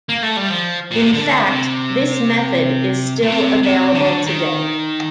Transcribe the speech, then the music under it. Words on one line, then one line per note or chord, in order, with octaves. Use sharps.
In fact, this method is still available today.
A#3
A3
G3
F3
A#2
C3
D3
C3
A#2
C3
C3
D3
D#3